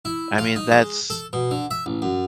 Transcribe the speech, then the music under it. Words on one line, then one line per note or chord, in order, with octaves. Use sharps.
I mean, that's,
E4
F4
D#4
G#3
A4
B2
D3
E5
A1
F#2